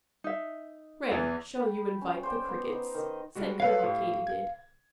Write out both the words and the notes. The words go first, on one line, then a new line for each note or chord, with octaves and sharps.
"Pray, shall you invite the Crickets?" said Colonel Katy-did.
D#4 E5
E2 E3
G5 B5
C#4
C5 D5 G5
B3
D#4 C5
D#3 D#5
G3 G#3 F#4
A4 B4 C#5 F5
A2 G4
G#6